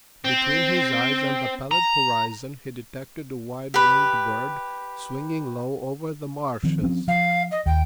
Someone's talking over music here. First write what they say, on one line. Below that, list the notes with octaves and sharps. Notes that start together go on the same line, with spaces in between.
Between his eyes and the pallid horizon he detected a wide-winged bird swinging low over the marshes.
C4
A#5
G4 B4
D#3 F3 C4
F3 C4 C#4
F3 F5
D#5
D#2 G5